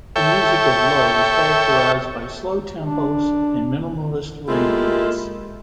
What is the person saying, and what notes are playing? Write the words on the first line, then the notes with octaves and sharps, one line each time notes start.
The music of Low is characterized by slow tempos and minimalist arrangements.
A4 C#5 E5 G5
D4
G#3 A#3 E4 F4 G4 A4